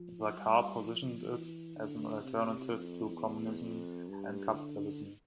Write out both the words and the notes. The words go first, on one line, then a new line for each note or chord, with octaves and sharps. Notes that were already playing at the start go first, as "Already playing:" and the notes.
Sarkar positioned it as an alternative to communism and capitalism.
Already playing: F3
G3
F3
E3
D3
C3
F2
E2
F2
G2
D3